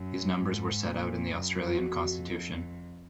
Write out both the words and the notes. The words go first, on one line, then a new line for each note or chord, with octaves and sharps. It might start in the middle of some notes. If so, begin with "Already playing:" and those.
These numbers were set out in the Australian Constitution.
Already playing: F#2
G#2
A#2
F#2
F4
F2 F#4